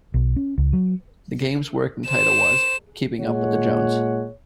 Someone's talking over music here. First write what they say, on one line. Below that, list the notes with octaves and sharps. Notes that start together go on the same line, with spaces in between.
The game's working title was "Keeping Up with Jones".
B1
C#4
C#2
F#3
C5 E7
A#2 G#3 C#5 F#5